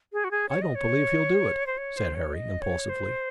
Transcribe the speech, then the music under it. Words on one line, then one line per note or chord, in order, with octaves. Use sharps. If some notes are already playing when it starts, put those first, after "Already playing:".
"I don't believe he'll do it," said Harry impulsively.
G#4
F#4
G#4
C#5
D#5
C#5
C5
C#5
C5
C#5
D#5
C#5
C5